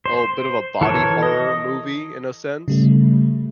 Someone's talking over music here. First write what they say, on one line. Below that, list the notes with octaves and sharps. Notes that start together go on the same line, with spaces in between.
a little bit of a body horror movie in a sense.
C5
E3 A4 A#4 C#5
D#5
C#3 G3 A3